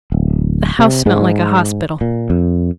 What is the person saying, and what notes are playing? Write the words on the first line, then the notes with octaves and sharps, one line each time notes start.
The house smelt like a hospital.
D1
C3
G#2
A#2
F2